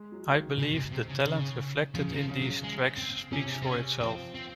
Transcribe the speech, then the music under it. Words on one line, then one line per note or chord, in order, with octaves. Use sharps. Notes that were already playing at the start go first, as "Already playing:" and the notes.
I believe the talent reflected in these tracks speaks for itself.
Already playing: G#3
F#3
D#3
C#3
C3
C3
C#3
C#3
C#3 F3
D#3
F3
C#3
F#3
G#3
C4
C3 C#4
C4
C#4
F3 C4
C4